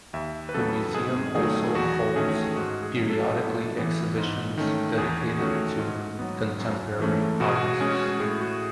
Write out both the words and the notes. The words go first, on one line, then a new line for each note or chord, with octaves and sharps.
The museum also holds periodically exhibitions dedicated to contemporary artists.
D#2 E5
B4
C#3 F#3 B3 A4
G#2 G#4
D#3 F#3 A3 G#4
E2 F#4
D#3 A3 C#4 G#4
G#2 F#4
G#4
F#3 C#4
A4
A2
E3 B3
G#2
D#3 A3 C#4
E2 G#4
D#3 A3 C#4 F#4
G#2
F#3 B3
F#2
E3 A3 C#4
B2 F#4
G#4
F#4
G#3 C#4 G#4
F#4
G#4
A2 G#4
F#4